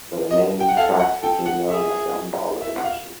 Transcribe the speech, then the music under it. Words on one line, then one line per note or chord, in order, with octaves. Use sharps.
The remaining tract became known as the Ambala Division.
D#5
G5
F#5
A4 F5
F#5
A4 G5
F#5
G#4 E5
E5
F#5
F5